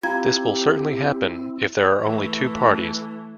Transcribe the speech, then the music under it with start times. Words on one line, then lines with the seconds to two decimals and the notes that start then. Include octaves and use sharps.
This will certainly happen if there are only two parties.
0.03 C4 E4 F4 G4 F5 A#5 G#6
2.01 E3 A3